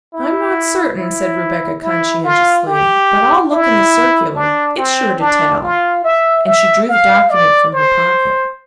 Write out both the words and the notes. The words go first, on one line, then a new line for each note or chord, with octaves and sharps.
"I'm not certain," said Rebecca conscientiously, "but I'll look in the circular--it's sure to tell;" and she drew the document from her pocket.
E4
E4
E4
F4
G4
E4
D4
C4
D4
F4
E5
E5
F5
D5
C5